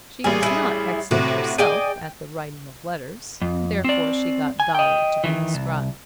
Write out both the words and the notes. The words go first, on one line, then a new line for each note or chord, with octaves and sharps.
She was not excellent herself at the writing of letters, and therefore she got Dolly to be the scribe.
A1 G3 G#4 G#5
E4 G#4
A2 C3 F#4
G#4 D5 D#5 G5
F2
C4 D5
G#5
D#5 G5
D#3 E3
C2